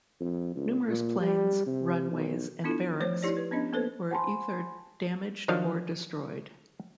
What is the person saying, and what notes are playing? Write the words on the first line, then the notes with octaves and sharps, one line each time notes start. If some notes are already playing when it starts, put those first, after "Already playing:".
Numerous planes, runways and barracks were ether damaged or destroyed.
F2
C#2
A#2
G3
C3
B1
B3 D4 E4 F4 A4
F3 A3 C5 C#5
D#4 E4 G4 C#5 D5
B4
B3 C#4 D4 D#5
A#3 B3 A4 B4 C5
C5 F#5 G#5 A5 B5 C6
D#3 F3 F#3 D4 F5